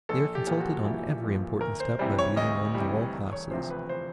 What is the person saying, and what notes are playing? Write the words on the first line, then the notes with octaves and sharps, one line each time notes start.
They are consulted on every important step by believing ones of all classes.
A#1 A4
G4
A#2 F3
F#4
A#1 E4
A#2 F3
D2 A#4
C5
C3 E3 G3 C5
C#5
D2 D#5
C3 E3 G3
E1
C#5
D2 C3 F3 C5
B4
C5